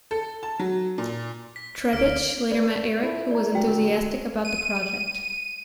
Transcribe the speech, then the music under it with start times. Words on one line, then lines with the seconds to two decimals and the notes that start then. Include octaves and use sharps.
Trebitsch later met Erich, who was enthusiastic about the project.
0.11 A4
0.43 A5
0.59 F#3
0.98 A#2
1.56 B6
1.93 D2 F6 D7
2.51 B4 D5
3.03 E4 F4 A4
3.31 D5 A#5
3.55 F#4 A#4 F#5 G5
3.67 D3 G4 A#4
4.45 D#7